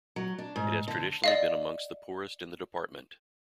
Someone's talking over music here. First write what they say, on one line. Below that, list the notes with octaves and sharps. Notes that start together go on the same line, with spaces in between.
It has traditionally been amongst the poorest in the department.
F#3
D4
G#2
D3
D5 D#5 F5